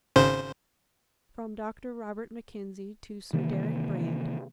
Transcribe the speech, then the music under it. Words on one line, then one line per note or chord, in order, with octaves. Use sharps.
From Dr. Robert Mackenzie to Sir Deryck Brand.
G#1 C#3 C5
C3 D#3 E3 A#3